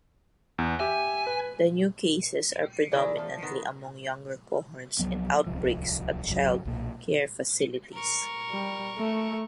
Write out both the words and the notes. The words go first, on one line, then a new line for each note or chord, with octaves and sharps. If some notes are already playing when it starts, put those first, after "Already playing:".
The new cases are predominantly among younger cohorts and outbreaks at child care facilities.
E2
G4 E5 G#5
B4
D#3 E4 G#4 D5
F3 A3
D#3 B3
C2 F3 F#3 B3
D1 C2 F3
G#1 C#2 F#2 F#3
B1 A#2
A#4 C#6
G3
A3